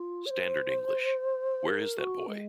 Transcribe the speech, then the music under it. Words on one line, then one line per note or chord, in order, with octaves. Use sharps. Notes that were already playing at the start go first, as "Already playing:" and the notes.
Standard English: Where is that boy?
Already playing: F4
C#5
C5
A#4
F#4
G#3